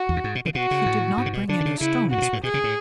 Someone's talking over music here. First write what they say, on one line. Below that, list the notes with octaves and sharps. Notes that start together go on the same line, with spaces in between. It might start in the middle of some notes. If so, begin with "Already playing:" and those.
But he did not bring any stones with him.
Already playing: F#4
E2
F#2
G#2
B2
C#3
B2 F#4
C#3
A2
G#2
C#3
B2
D3 D4
D3
C#3
C#3 E4
B2 F#4
A2
B2
A2
B2 G#4
C#3
A2